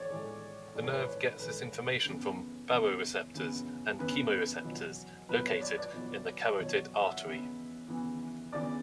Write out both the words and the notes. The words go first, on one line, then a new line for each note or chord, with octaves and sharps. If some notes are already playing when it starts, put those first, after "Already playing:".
The nerve gets this information from baroreceptors and chemoreceptors located in the carotid artery.
Already playing: A2 E3 C#5 D5
A2 E3 G#3
A2 E3 G#3 D5
C#5
B4
C#5
A2 E3 G#3 B4
F#2 C#3 E3 B3
F#2 C#3 E3 B3
F#2 C#3 E3 B3
F#2 C#3 E3 B3 B4
E2 B2 F#3
E2 B2 F#3 B4
C#5
D5
D5
E2 B2 F#3
E2 B2 F#3 C#5
F#5
E5
E2 C#3 E3 B3
E2 C#3 E3 B3
E2 C#3 E3 B3 D5